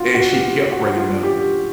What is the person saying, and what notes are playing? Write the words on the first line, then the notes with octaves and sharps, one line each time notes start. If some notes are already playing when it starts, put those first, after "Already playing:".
and she kept bringing it up.
Already playing: F4 F#4
F#4
G4
F#4
F4
G4